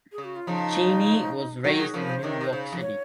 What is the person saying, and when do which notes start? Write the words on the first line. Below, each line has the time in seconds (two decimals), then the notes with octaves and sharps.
Cheney was raised in New York City.
0.12 G#4
0.18 C#3
0.24 F#4
0.36 F4
0.47 C#3 F3 D#4
1.64 D#3 F#3 F#4
1.79 G#4
1.94 C#3 F3 A#4
2.09 C5
2.23 C3 D#3 C#5
2.41 C3 C5
2.53 C#3
2.73 F2
2.81 C#5